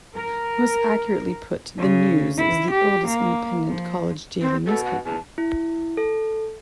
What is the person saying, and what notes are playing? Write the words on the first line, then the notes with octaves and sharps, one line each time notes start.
Most accurately put, the "News" is the oldest independent college daily newspaper.
A#4
C#3
E4
G4
A#3
F3
C4
B2 A4
F#5
E2 A5
E4
A4